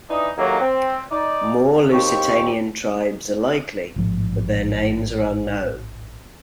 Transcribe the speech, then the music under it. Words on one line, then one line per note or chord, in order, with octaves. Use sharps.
More Lusitanian tribes are likely, but their names are unknown.
E3 D4 D#4
D#2 A2 F#3 A#3
C4
D#4 D5
D#2 C4 G4 C#6
A1 G#2 F3